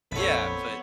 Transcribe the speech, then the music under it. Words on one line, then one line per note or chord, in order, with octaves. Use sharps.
Yeah, but
A#1 F2 C4 A4 B4 C#5 F#5 B5